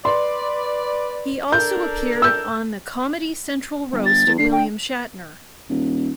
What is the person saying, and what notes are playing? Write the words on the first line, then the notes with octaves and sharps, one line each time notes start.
He also appeared on the "Comedy Central Roast of William Shatner".
B4 D5 C6
D4 A4 A#4 G6
E6 G6
G1
A6
E2
D3 C7
G5
D#1